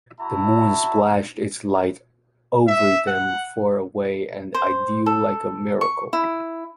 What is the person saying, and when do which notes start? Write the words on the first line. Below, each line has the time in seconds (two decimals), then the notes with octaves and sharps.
The moon splashed its light over them far away and ideal like a miracle.
0.21 E4 F#4 E5 A5 A#5
2.67 E5
3.07 F#5
4.55 C5
5.06 A4
5.81 C#6
6.13 E4